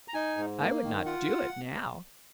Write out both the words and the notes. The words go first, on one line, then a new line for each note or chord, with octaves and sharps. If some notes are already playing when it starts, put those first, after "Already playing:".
I would not do it now.
A#5
D#4 G#5
G#2
A#3
D#3
F4 F#5